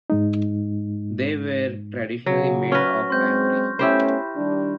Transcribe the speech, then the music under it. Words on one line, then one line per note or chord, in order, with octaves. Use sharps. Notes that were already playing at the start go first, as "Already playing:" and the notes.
They were traditionally made of ivory.
G#2 G#3 D#4
C#3 F#3
C#4 B4 C#6 F6 A#6
G#3 C4 C6 G6
A3 B3 C#4 E4 G4 C5 B5
D#3 G3 D4